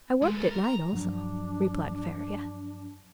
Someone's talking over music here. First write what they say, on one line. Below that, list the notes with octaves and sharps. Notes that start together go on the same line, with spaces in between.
"I worked at night also," replied Faria.
G#3 A3
A4 B4
A#4
A#5
G2 F3 F#3 D4